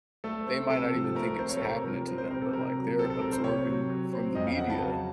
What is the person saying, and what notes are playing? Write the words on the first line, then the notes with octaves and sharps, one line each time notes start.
they might not even think it's happening to them, but, like, they're absorbing from the media.
A3 A4
C4
C3 A4
F3
A3 A#4
A#4
C4 C5
C#5
A4
C3 A#4
F3 A#4
C4 A#4
C5
C3 A#4
A4
C3 A#4
F#3
C4 A4
A4
C3 A#4
C5
C3 C#5
F#3
F#3
C4
F2 D#5
F5
C#3 F#5
A5
F#3